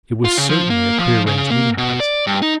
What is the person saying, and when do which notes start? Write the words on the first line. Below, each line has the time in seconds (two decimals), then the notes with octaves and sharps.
It was certainly a prearranged meeting place.
0.25 F4
0.37 C#3
0.49 F3
0.70 A#3
0.98 F3
1.27 C#3
1.50 A#3
1.78 B2
2.00 D5
2.27 G2
2.42 D#4